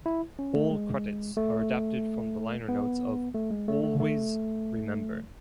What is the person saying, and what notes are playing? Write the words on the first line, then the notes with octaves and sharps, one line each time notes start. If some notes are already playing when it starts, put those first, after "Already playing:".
All credits are adapted from the liner notes of "Always Remember".
E4
C#4
A3
G#3
A3
B3
A3
G#3
A3
A3
A3